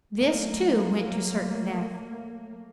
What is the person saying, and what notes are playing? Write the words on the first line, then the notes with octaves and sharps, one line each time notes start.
This, too, went to certain death.
F#3 A3 A#3